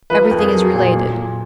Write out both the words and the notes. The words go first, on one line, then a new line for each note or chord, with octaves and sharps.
Everything is related.
F3 B4
A#4
F2
G#4
F#3
A#2
A#2
A#2